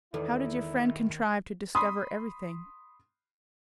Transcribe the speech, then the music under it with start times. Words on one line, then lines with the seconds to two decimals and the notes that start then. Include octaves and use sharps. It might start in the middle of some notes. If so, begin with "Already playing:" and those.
How did your friend contrive to discover everything?
0.14 E2 D#3 G#3 E4 A4
1.75 B5 C6 D#6